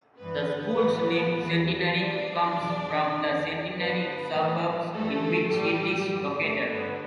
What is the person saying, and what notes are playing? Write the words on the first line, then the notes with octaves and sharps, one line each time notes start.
The school's name "Centenary" comes from the Centenary suburbs in which it is located.
G2 E3 B3 B4
E3
A2
E2 E3
E2 E3 D4 D5
E2 B2
E2 E3
G2 D3 B3 B4
A2 E3
G2 E3 A3 A4
A2 E3 G3 G4
G2 D3
A3 A4
G2 D3 B3 B4